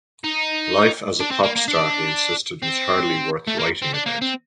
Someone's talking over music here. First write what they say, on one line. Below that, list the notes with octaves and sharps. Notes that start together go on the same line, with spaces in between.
Life as a pop star, he insisted, was hardly worth writing about.
D#4
D4
C4
A#3
A#3
D4
C4
A3
A#3
C4
D4
A#3
C4